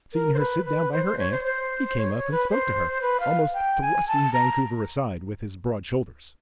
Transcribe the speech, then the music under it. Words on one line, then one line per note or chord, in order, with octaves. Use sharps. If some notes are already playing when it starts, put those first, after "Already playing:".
Seeing her sit down by her aunt, he came up and spoke to her, almost thrusting Vancouver aside with his broad shoulders.
A#4
C5
B4
B4
C5
C5
C#5
C5
C5
C#5
C#5
B4
C5
B4
F5
G5
G#5
A5
A#5